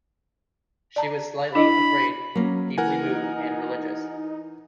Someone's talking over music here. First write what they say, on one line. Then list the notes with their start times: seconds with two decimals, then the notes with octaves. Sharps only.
She was slightly afraid — deeply moved and religious.
0.96 D5 A5 A#5
1.55 D4 E4 D#5 B5
2.35 F#3 A#3 C#4
2.78 E3 A#4 F#5 G#5
3.03 D#4